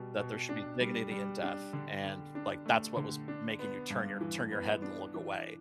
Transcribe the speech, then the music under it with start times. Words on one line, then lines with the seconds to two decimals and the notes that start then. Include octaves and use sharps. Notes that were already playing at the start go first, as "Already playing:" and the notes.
that there should be dignity in death, and, like, that's what was making you turn your turn your head and look away."
Already playing: B2 G3
0.19 B2
0.49 D4
0.80 G3
1.11 G3
1.43 D4
1.73 D3
2.04 D3
2.35 D4
2.66 A3
2.96 D3
3.28 D4
3.59 B3
3.90 G2
4.21 E3
4.52 B3
4.82 D4
5.14 E3